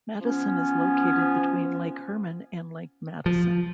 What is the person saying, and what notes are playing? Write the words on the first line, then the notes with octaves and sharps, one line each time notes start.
Madison is located between Lake Herman and Lake Madison.
F3 B3 C#4
F3